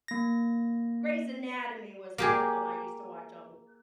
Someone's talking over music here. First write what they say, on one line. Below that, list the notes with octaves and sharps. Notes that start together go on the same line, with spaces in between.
Grey's Anatomy was one of 'em I used to watch all the time.
A#3 A#6
A#3 G4 G#4